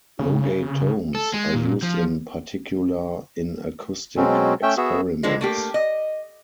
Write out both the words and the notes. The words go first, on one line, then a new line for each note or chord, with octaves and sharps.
Logatomes are used in particular in acoustic experiments.
C#3
A4
G#3
A#2
F3
B2 F#3 G#3 C4 C#4
A3 C#4 E5 G5
B3 F#4 G#4 E5
A2 D3 F3 G#3
A3 A#3 G4
D#5